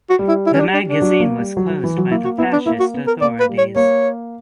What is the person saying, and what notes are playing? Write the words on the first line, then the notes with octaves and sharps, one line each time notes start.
The magazine was closed by the fascist authorities.
F#4
G3
E4
E4
C#4
D4
D4
D4
F#3
A#3
G3
F#3
F#3
E3
F#3
A#3 E4
F#4
B3 E4
D4
A#3 E4
F#4
B3
A#4
A#3 D5
B4
G3
C#5
A#3 C#5